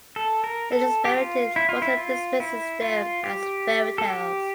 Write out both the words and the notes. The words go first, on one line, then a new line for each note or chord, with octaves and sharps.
A dispirited Mosley dismisses them as fairy tales.
A4
A#4
A4
G4
F4
E4
F4
E4
F4
E4
F4
G4
A4
G4